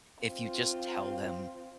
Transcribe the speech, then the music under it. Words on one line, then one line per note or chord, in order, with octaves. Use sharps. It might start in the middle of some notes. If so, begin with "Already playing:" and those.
if you just tell them,
C4 F4